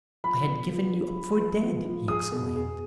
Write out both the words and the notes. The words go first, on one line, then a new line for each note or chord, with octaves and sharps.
"I had given you up for dead," he exclaimed.
F3 B5
B3
F3
F3
F3
B4
F3
F3
G#4 D#6
B2
G#4